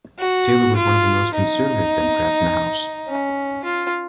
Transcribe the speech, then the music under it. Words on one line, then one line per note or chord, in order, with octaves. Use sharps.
Taylor was one of the most conservative Democrats in the House.
F#4
F4
D#4
C#4
F4